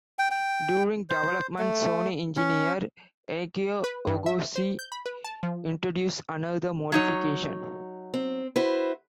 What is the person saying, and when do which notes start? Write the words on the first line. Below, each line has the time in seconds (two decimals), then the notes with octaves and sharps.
During development, Sony engineer Akio Ohgoshi introduced another modification.
0.19 G5
0.31 G5
1.10 C5
1.58 A3
2.37 C#4
3.84 B4
4.07 G2
4.26 E5
4.56 C5
4.79 G6
4.92 B5
5.06 B4
5.24 A5
5.43 F3
6.92 F#3 D#4 C#5
8.14 C4
8.56 E4 F#4 B4 C5